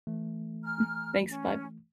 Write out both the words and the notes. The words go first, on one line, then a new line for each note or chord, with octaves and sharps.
Mm, thanks, bud.
E3 A3
G#5 A#5 F6
C#4